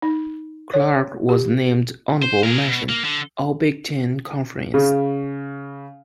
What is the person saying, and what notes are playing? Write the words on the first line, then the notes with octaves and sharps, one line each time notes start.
Clark was named honorable mention All-Big Ten Conference.
D#4
C#5
G4
C5
G#4 A#4
B2
A#3
D3
C#3